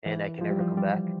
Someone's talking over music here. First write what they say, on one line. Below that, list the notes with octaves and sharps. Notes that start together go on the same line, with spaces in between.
And I can never come back?
E3
F3
G3
F3
G3